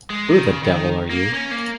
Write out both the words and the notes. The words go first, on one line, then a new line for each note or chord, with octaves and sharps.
Who the devil are you?
G#3
D#3
C#3
D#3
A#3
C#4
A#3